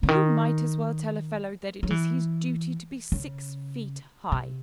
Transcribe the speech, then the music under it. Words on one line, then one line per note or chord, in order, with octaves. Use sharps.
"You might as well tell a fellow that it is his duty to be six feet high."
C#3
D#3
F#3
E3
C#3
C3